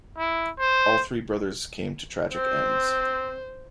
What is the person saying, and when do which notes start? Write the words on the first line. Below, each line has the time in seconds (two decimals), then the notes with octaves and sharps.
All three brothers came to tragic ends.
0.18 E4
0.59 C5
2.33 C4 C5